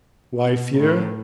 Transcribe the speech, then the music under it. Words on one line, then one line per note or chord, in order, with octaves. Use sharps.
"Wife here?"
B2
A2